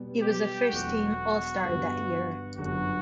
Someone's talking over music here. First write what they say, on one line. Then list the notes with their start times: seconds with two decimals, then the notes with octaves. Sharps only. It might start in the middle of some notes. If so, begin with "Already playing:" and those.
He was a first team All Star that year.
Already playing: B2 G3 B3
0.23 G4
0.69 E1 E2 B2 F#3 A3 F#4
1.64 G2 D3 G3 B3
2.58 G1 F#2 D3 F#3 F#4